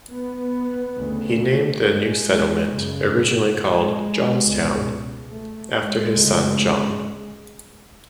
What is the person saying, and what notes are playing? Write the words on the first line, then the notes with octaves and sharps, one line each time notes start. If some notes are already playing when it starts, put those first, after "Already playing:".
He named the new settlement, originally called John's Town, after his son John.
B3
D2 C#3
G#3
F#2 C#3
G#3
C#2 B2
A3
G#3
D2 C#3